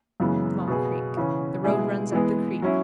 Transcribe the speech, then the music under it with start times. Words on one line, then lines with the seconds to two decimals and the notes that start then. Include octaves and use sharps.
Small Creek.--The road runs up the creek.
0.20 F#2 C#3 E3 G#3 B3
0.67 B2 B3 G#4
1.17 C#3 E3 C#4
1.65 B2 G#3 E4 G#4
2.12 E3 G#3 B3 G#4
2.62 F#3 C#4 E4